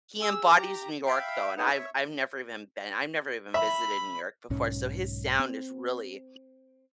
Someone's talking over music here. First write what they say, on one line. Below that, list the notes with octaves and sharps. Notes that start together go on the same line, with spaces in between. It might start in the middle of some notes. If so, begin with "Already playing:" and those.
he embodies New York though, and I've I've never even been I'm never even visited New York before. So, his sound is really
G#4 E6
G4 A#5
E5 F5 G5 B5
B3 D#4 G#4 B4 F#5
C#5 E5
E5 B5
B1 G#2 C#4
C4